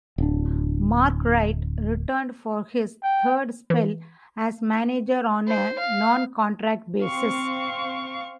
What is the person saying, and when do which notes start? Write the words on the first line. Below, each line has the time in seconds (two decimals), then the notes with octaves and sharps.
Mark Wright returned for his third spell as manager on a non-contract basis.
0.18 D1 D4
3.03 G5
3.70 E3
5.47 C5
5.79 F5
7.04 C4 F5 C#6